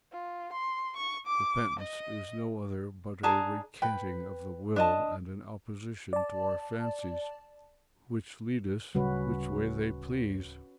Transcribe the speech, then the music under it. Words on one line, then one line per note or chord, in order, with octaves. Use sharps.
Repentance is no other but a recanting of the will and an opposition to our fancies, which lead us which way they please.
F4
C6
C#6
D6
D#5
D4 G#4 A5 A#5
B4 G5
D4 D#5 A5
D5 A5
D1 C#3 G3 C#4 F#4 B4